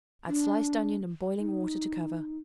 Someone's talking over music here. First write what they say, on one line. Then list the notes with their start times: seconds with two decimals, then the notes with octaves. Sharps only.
Add sliced onion and boiling water to cover.
0.27 D4
1.38 D#4